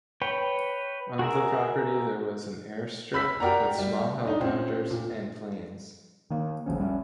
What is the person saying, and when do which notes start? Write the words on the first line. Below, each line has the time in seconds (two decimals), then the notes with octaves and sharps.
On the property there was an airstrip with small helicopters and planes.
0.22 B4 C#5 G5
1.19 F#4 G#4 A#4 E5
3.14 B5 E6 B6
3.40 F#4 G4 A#4 D5 F#5 A#5
3.78 G3
4.25 D4 D#4
4.39 A#2 C4 C#4
4.90 A#2
6.30 D#3 A#3
6.66 G#1 D2 F3 C#4
6.79 G3 C#4